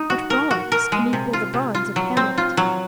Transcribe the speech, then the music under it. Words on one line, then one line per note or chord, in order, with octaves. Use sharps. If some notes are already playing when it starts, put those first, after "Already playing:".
What bronze can equal the bronze of "Hamlet"?
Already playing: D#4
F#4
A#4
F#4
A#4
G#3
C3
F4
C3
F4
F#3
C4
F4
F#3